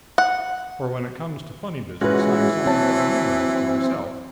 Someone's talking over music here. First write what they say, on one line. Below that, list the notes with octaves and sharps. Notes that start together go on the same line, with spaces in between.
For when it comes to funny business I'm something of a humorist myself.
F#5
E3 G#3 C#4 F4 F#4 B4
D#2 F#3 C4 A5